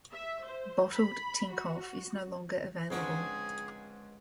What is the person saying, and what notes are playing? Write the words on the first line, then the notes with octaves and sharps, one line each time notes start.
Bottled Tinkoff is no longer available.
E5
C5
B5
F#4
C#2 G#2 D3 F3 C4 G#4 C#6